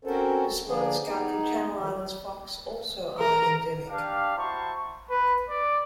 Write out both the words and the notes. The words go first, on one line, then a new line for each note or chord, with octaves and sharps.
The spotted skunk and Channel Islands fox also are endemic.
C4 C#4 F#4 A4 A#4 C5
D3 F3 A#3 D4 G#4
B3 D#4 G#4
D#3 F3 F#3 A3 G4
A#4
D4 G4 F5
E4 F#4 C5 A5 A#5 C#6
B4
D5